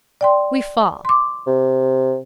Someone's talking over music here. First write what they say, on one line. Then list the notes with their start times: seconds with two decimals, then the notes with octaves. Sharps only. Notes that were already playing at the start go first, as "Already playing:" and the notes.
We fall.
0.21 D5 G5 C6
1.05 C6 D6
1.46 C3